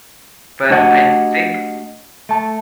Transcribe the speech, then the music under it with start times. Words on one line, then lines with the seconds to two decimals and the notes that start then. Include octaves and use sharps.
but, I think"
0.70 A3 D4 F#4 G4 D#5 F#5
2.29 A3 A5